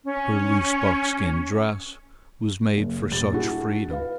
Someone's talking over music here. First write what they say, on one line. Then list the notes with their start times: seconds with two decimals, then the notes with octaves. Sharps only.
Her loose buckskin dress was made for such freedom.
0.05 C#4
2.77 F#1
3.11 D#1 A6
3.32 D4 E4 F#4 G#4
3.90 B4 F5